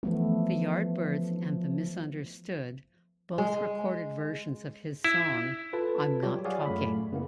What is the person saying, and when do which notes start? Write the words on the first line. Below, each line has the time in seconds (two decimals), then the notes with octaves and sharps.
The Yardbirds and the Misunderstood both recorded versions of his song "I'm Not Talking".
0.03 E3 F3 A3 B3
3.38 G#3
5.04 E4
5.73 F4 A4 B4 A5
6.23 F#3 G3 F4 G4 C#5
6.45 G#4 C#5 D5 F5 F#5 G#5
6.66 F#2 A3 B5
7.12 C#3 A#3 B3 E4